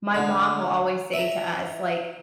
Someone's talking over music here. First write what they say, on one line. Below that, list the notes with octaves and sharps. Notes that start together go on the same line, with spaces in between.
my mom will always say to us, like
D3
E5 A#5